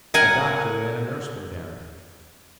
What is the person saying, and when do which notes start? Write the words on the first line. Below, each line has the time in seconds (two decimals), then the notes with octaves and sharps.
A doctor and a nurse were there.
0.14 A#4 F#5 G#5